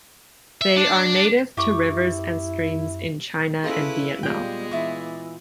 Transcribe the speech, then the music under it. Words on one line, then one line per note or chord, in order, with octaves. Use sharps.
They are native to rivers and streams in China and Vietnam.
E5
D4
F#2 E4 G4 C#6 D6
C#4 E4 G#4 A4 B4 D#5 F5 C6
A#2 G3 G#3 B3 F4 G5
E3 D5 E5 C#6